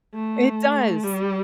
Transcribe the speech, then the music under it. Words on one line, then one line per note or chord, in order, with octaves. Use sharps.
It does.
A3
G3